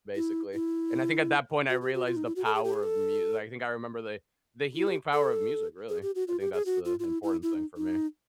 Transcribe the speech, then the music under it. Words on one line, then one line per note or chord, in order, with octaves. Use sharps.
basically, and I think at that point I realized the power of mu I think I remember the the healing power of music, really. I think that's the important thing for me.
E4
E4
F#4
G4
F#4
F4
D#4
E4
F#4
A4
G#4
G4
G#4
A4
E4
G4
A4
G#4
G4
F#4
F4
G4
G#4
F#4
F4
F4
E4
E4
E4
D#4
D#4